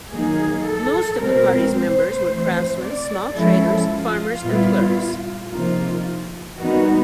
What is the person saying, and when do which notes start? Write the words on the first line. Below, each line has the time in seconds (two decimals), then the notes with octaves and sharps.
Most of the party's members were craftsmen, small traders, farmers, and clerks.
0.11 D#3 F#3 A#3 D#4 G#4
0.65 A4
1.19 B2 G#3 C4 A#4
1.72 C5
2.26 E3 A3 C4
2.80 D5
3.34 F3 G#3 C#4 E4 A4
3.88 F4
4.42 A#2 G3 B3 E4
5.50 C3 F3 A#3 D#4 F4
6.57 D#3 G3 B3 D#4 F#4